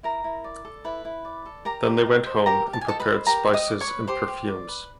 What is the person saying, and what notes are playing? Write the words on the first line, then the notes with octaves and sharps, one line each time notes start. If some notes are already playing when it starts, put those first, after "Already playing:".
Then they went home and prepared spices and perfumes.
E4 A#4 A#5
E4
D5
A4
E4 B4 B5
E4
D5
A4
G4 A#4 A#5
G4
D#5
C5
G4 A#4 A#5
G4
A5
G#5
A4 D#5 A5
B4 B5
C5
G4 A#4 A#5
G4
D#5 D#6
D5
C#5 C#6
B4
G4 C5 C6
G4
D5
B4